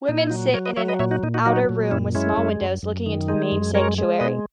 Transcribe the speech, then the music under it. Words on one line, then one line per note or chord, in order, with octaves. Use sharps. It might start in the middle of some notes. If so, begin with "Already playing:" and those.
Women sit in an outer room with small windows looking into the main sanctuary.
A#2 D#4
E4
D#4
F#3
F#3 A#4 C#5
B4 D#5
F#3 C#5 E5
B4 D#5
A#2 C#5 E5
D#4 F#4
A#2 D#4
D#4 F#4
F#3 D#4 F#4
A#2
F#2 C#4 E4
G#3 C#4 E4
F#2
F#2
F#2
D#3
G#3 D#4
F#2
G#3 A#4 C#5
G#3
B2 B4 D#5